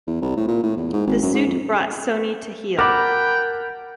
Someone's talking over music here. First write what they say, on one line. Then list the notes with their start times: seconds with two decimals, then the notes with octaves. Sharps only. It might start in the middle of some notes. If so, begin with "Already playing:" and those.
The suit brought Sony to heel.
0.07 E2
0.22 C2
0.37 A2
0.48 A#2
0.63 A2
0.77 E2
0.93 G#2
1.07 G#1
1.22 F#2
1.34 G#2
1.47 F2
2.79 A#4 F#5 G5 A5 B5 D6